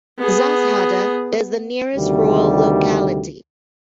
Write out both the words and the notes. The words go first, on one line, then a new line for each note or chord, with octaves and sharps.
Zhazhada is the nearest rural locality.
B3 G#4
D2 C3 D#3 G3